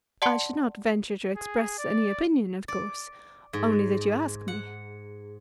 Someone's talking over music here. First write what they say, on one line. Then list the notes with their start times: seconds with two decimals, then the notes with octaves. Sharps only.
"I should not venture to express any opinion, of course,--only that you ask me."
0.22 D5 F#5 A5 C6 C#7 G7
1.36 G#4
1.78 D5
2.68 D5
3.53 G#2
4.48 F#5